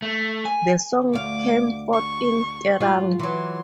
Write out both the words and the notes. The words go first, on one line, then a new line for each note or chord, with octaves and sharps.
The song came fourth in Kerrang!
A3
G#5
D2 F5 D6
C#6
G#2 F4 F#4
E3 F#3 C6